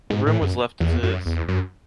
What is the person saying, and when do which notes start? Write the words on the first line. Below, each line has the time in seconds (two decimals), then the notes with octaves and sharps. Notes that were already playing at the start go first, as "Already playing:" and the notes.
The room was left as is.
0.10 G#2
0.26 A2
0.41 F#2
0.80 E2
1.03 F#2
1.26 E2
1.48 F#2